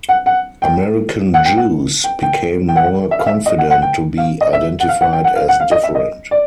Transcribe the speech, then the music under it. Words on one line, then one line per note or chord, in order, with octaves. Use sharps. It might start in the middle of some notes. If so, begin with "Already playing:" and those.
American Jews became more confident to be identified as different.
F#5
F#5
G5
F#5
G5
F#5
G5
G5
G5
F#5
E5
F5
E5
D#5
F#5
F#5
G5
F5
D#5
E5
F#5
F5
F#5
G5
F#5
F5
F#5
F5
D#5
E5
D#5
D5